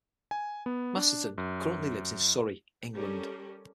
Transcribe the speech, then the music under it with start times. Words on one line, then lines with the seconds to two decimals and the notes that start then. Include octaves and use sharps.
Masterton currently lives in Surrey, England.
0.31 G#5
0.66 B3
0.96 D4
1.38 F#2
2.94 G3 C#4 G4 A4 A#4